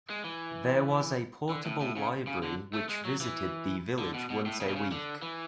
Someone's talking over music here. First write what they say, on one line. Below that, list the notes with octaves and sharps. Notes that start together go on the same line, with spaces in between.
There was a portable library which visited the village once a week.
G#3
E3
D3
A2
A2
C#3
C#3
D3
A3
G#3
F#3
E3
D3
B2
B2
A2
C#3
B2
C#3
D3
E3